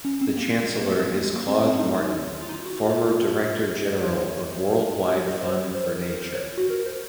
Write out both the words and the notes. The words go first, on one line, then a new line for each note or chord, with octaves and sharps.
The chancellor is Claude Martin, former Director General of World Wide Fund for Nature.
C#4
C4
A#3
A#3
G#3
A#3
A#3
C4
A#3
G#3
A#3
C4
C4
D#4
F4
D#4
F4
F#4
F4
D#5
C#5
C5
C#5
C#5
D#5
C5
C#5
C5
A#4
A#4
A#4
C5
C#5
F#4
A#4
C5